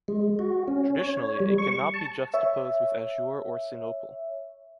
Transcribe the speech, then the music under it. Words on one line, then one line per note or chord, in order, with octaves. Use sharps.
Traditionally, it can not be juxtaposed with azure or sinople.
G#3
F#4
C#4
C#5
G3
C#6
A5
C#5 E5